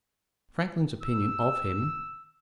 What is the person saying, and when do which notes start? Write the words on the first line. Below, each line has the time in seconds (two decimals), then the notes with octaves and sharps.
Franklin's Opinion of him.
1.02 E6